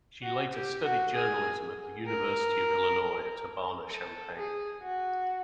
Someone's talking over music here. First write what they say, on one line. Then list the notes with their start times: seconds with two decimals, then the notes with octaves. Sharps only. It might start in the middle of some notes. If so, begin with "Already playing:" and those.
She later studied journalism at the University of Illinois at Urbana–Champaign.
0.23 F#4
0.53 G4
0.83 F#4
1.14 G#4
2.06 A#4
3.90 A4
4.36 G#4
4.82 F#4